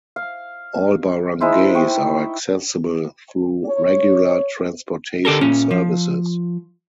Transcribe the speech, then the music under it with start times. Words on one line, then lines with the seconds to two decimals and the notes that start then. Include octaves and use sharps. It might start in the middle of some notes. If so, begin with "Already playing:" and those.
All barangays are accessible through regular transportation services.
0.16 F5
1.41 G#3 D#4 E4 C5
1.75 G5 C#6
3.66 C#5
5.25 D3 G4 A4 A#4
5.41 A#2 C#4
5.71 F3